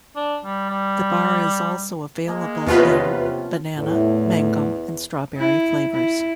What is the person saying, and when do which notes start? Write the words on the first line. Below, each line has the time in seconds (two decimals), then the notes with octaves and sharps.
The bar is also available in banana, mango and strawberry flavors.
0.16 D4
0.45 G3
0.70 G3
2.28 G#3 A#3
2.66 E2 C3 F3 B3 C#4 F4 B4
3.78 E2 A2
5.37 E4
5.91 E4